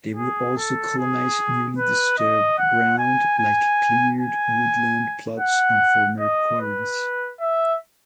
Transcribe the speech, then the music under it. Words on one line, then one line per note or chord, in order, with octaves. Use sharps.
They will also colonise newly disturbed ground like cleared woodland plots and former quarries.
G#4
A4
G#4
B4
D#5
F#5
G#5
G#5
G#5
F#5
D#5
B4
E5